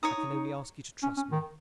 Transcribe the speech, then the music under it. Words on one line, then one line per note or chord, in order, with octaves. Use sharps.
I can only ask you to trust me.
D#4 C#5 A#5 D#6
D#4
D#4
C#4
C#4
D#3